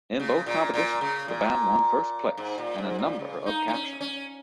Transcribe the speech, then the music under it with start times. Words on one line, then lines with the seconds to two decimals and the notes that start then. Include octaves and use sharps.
In both competitions, the band won first place and a number of captions.
0.20 C#3
0.46 A#2
0.74 A#2
1.01 C#3
1.28 A#2
2.37 G#2
2.58 A#2
2.78 G#2
2.99 A#2
3.19 C#3
3.46 D#4
3.68 D#4
3.73 C#4
4.01 C#4